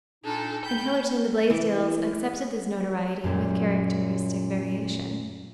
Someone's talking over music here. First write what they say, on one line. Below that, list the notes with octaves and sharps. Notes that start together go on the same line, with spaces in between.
In Hillerton the Blaisdells accepted this notoriety with characteristic variation.
A#2 D4 D#4 A4
G5 B5 G6
E3
F#2 A#2 F#3 G3